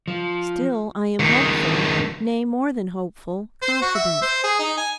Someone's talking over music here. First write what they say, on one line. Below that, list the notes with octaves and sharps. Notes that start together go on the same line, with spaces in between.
Still I am hopeful, nay, more than hopeful,--confident.
F3
C#2 D#3
C5
F#4
E5
C5
G#4
D#4
G#5